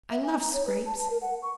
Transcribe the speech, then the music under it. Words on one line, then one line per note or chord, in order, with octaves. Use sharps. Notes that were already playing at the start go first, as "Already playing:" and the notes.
I love scrapes.
E5
G#5
A#5
C#5
B4
A5
A5
A#4
F#5
C#6